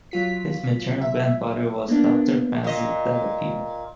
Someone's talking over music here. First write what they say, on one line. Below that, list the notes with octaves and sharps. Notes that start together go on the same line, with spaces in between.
His maternal grandfather was Doctor Francis Delafield.
F#3 F4 B6
E5
A#3 B3 D4
A#2 D#5